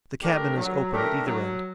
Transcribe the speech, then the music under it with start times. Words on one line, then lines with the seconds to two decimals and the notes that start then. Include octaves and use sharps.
The cabin is open at either end.
0.22 A3 D4 G4 A#4
0.56 F#3
0.91 A3 D4 G4 A#4
1.26 F#3